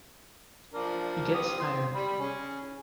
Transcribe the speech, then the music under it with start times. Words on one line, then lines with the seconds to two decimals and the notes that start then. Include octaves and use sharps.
He gets tired.
0.74 F3 D4 A#4
1.34 C4 G4 D#6
1.60 C4 C6
1.95 G3 B5
2.20 C#4 G#4